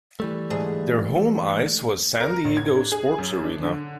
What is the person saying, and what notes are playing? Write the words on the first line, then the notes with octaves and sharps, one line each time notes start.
Their home ice was San Diego Sports Arena.
E3 G3 A3
D2 G#2 G#4
A#4
A1
G#6
D4
G#4
F#2
D4
D3